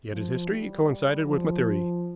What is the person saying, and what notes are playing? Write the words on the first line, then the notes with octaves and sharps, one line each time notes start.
Yet his history coincided with my theory.
F3
G3
F3